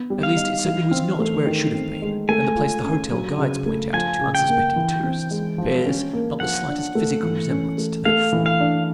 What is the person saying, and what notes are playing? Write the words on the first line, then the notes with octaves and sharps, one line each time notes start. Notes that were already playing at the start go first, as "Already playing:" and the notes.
At least, it certainly was not where it should have been, and the place the hotel guides point out to unsuspecting tourists bears not the slightest physical resemblance to that ford.
Already playing: B3
G3
F5
D#4
E3
C4
A3
D#3
C4
G#3
A3 G#5
F4
C#4
F#3
C#3
A3
F3 G#5
C#3
G5
A#3
E3
C4
G#3
F3
C#4
A#3
F3 F#5
D4
A3
E3
C#4
A3
A3 F5
E3
F5
D4